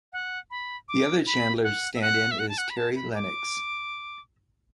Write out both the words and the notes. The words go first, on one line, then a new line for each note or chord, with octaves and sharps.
The other Chandler stand-in is Terry Lennox.
F#5
B5
D6
B5
F#5
E5
F#5
E5
F#5
A5
F#5
B5
A5
B5
D6